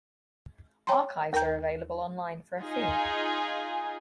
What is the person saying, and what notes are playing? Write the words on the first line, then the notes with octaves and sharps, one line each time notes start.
Archives are available online for a fee.
C#5 G5 G#5 A#5 C6
D#2 A#4 G5 A#5 G6
D#4 F4 G#4